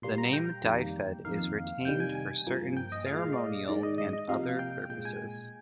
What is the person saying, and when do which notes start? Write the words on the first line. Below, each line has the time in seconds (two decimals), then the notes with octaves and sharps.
The name "Dyfed" is retained for certain ceremonial and other purposes.
0.02 A#2 G3 A#3 C6
0.18 A#5
0.33 G5
0.64 F2 D#3 G3 A#3
1.25 F2 D#3 A#3 F5
1.85 C3 D#3 G3 G5
2.00 G#5
2.15 G#5
2.47 G2 F3 A#3
2.77 G5
2.92 D#5
3.06 A#2 G#3 F5
3.33 D5
3.38 D#5
3.68 G#2 D#3 G#3 D5
3.83 D#5
3.98 D#5
4.13 D#5
4.28 C3 F3 A#3 F5
4.44 F5
4.59 G5
4.90 A#2 G#3 G5
5.05 G#5